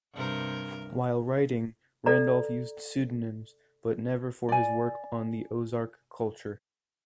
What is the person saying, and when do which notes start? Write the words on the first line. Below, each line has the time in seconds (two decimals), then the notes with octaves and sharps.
While writing, Randolph used pseudonyms, but never for his work on the Ozark culture.
0.14 G2 C3 A#4
2.06 A4 D5 A#5
4.49 D5 G#5